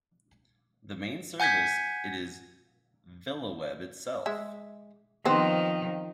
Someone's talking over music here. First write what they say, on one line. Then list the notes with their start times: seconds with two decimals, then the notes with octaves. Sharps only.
The main service it is VilaWeb itself.
1.40 F#5 G#5 G6 G#6 B6
4.26 G#3 E5
5.25 D#3 F3 B3 C4